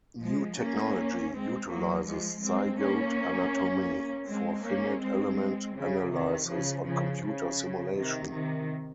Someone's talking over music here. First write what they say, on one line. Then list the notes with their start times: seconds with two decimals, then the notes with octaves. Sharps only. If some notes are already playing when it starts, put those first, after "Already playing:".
New technology utilizes Zygote anatomy for finite element analysis and computer simulation.
0.22 F3 G#3
0.59 A#3 C#4
1.33 G#3 C4
1.70 F#3 A#3
2.06 F3 G#3
2.43 G#3 C4
2.80 A#3 C#4
4.27 G#3 C4
4.65 A#3 C#4
5.01 G#3 C4
5.76 C#3
6.12 C3 D#3
6.49 C#3 F3
6.85 C#3 F3
7.23 C#3
7.96 C3 D#3
8.32 C3 D#3